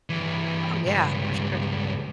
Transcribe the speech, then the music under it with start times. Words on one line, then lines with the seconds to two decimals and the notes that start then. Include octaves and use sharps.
Oh, yeah, for sure.
0.10 G2 E3
0.86 C#2 G2